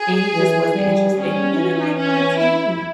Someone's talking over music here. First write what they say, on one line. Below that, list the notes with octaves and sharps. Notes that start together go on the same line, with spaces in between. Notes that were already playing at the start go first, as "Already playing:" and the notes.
and he just wasn't interested, he didn't like cartoons.
Already playing: G#4
E3
G3
G3 C#4
E3
C#4
E4